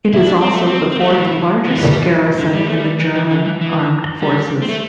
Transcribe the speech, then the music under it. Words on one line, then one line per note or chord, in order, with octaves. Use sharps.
It is also the fourth largest garrison in the German Armed Forces.
E4
D4
C4
A3
C4
C4
A3
G3
E3
E3
G3
D3
G3
A3
G3
E3
E3
D3
E3
E3
G3
C4
A3